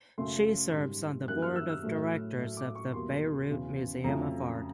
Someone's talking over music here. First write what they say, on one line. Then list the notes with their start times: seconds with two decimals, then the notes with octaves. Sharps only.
She serves on the Board of Directors of the Beirut Museum of Art.
0.18 F#2 C#3 F#3 A3 C6
0.73 G#2 D#3 G3
1.28 F#2 D#3 G3 A#3 F#6
1.42 F6
1.56 E6
1.69 E6
1.83 A2 F#3 A3
2.38 A2 F#3 A3
2.57 D6
2.75 C#6
2.94 E2 B2 G3 A#3 C6
3.49 E2 C#3 F#3
4.04 F2 C#3 F#3 A3 A#5